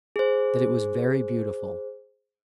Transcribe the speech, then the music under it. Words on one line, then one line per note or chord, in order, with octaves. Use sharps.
"That it was very--beautiful!"
G#4 C5